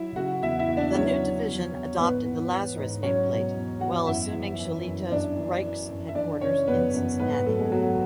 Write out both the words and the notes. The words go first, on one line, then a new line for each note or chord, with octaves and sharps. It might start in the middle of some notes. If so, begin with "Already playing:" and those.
The new division adopted the Lazarus nameplate, while assuming Shillito's Rike's headquarters in Cincinnati.
Already playing: F#3 E4 E5
C#3 F#4 F#5
E2 E4 E5
E4 E5
E2
D4 D5
F#3 C#4 C#5
D3
E2
E2
G#2 B3 B4
E3
E3
G#2
F#3 C#4 C#5
B2
E2
E2 F#4 F#5
F#2 E4 E5
E3
E3
F#2
F#2 D4 D5
E3
E3
F#2
E5
E3 D4 D5
C#3 C#4 C#5
F#2 B3 B4
F#2
G#2 B3 B4
B3 B4
F#3 A3 A4
G#3 G#4
F#3 F#4